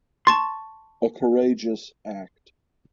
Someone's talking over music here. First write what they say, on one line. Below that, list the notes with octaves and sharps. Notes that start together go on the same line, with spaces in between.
A courageous act.
A5 C6 C#6 A6